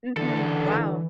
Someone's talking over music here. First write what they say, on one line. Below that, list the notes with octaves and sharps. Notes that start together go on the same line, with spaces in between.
Mhm. Wow.
C#2 D3 E3 A4